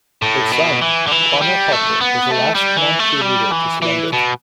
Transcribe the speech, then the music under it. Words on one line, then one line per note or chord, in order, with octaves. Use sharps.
Her son Quanah Parker was the last Comanche leader to surrender.
A2
B2
E3
D3
E3
G3
A3
B3
A3
G3
E3
A3
G3
E3
E3
B2